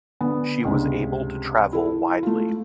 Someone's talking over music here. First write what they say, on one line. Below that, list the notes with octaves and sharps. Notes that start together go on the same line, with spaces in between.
She was able to travel widely.
D3 B3
C#2 G2 C3
E4 A4
A3 F4